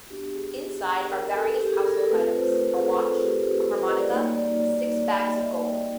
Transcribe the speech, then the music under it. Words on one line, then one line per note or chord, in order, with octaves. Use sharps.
Inside are various household items, a watch, a harmonica, and six bags of gold.
B3 D4 F#4 G4
G#4
A#4
A4
G4
G#4
A#4
A4
A3 C4 F4 B4
C5
A#4
B4
G#4
A4
G#4
G4
G4
D#5
D5
G3 A#3 D#4 F#4 C#5
D5
D#5
E5
G5